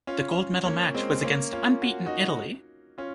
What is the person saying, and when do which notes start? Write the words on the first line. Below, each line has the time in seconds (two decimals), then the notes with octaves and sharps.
The gold medal match was against unbeaten Italy.
0.07 C#4 F4
0.65 A#3 C#4
0.94 G#3 C4
1.23 A#3 C#4
1.53 C#4 F4
1.82 F#4
2.06 D#4 F#4
2.98 C#4 F4